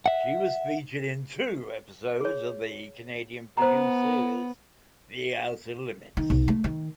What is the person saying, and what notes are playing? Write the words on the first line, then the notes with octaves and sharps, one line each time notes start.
She was featured in two episodes of the Canadian-produced series "The Outer Limits".
E5 F#5
G#4 C#5
B3 C5 A#5
D#3
B1
A3
D#3